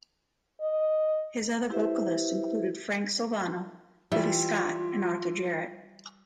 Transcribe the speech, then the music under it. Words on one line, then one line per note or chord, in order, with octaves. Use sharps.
His other vocalists included Frank Sylvano, Billy Scott, and Arthur Jarrett.
D#5
E4 G4 B4 C5 E5
E3 G3 F4 E5